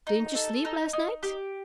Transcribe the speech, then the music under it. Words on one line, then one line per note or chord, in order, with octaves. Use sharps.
"Didn't you sleep last night?"
D#4
A4
D#4
D#4
G4